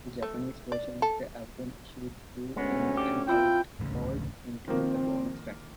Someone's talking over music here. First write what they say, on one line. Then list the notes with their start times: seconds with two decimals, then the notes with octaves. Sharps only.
The Japanese version of the album, issued through In-n-Out Records, includes a bonus track.
0.22 A3
0.72 D5
1.02 A4
2.56 D2 G#3 B3 C#4
2.97 D4 D#4 G4
3.27 C4 E4 F4 G5
3.80 A1 D2 C#3
4.68 D#3 F3 A#3 C4